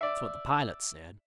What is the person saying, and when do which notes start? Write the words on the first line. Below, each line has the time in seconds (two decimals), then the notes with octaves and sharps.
That's what the pilot said.
0.01 D5 E5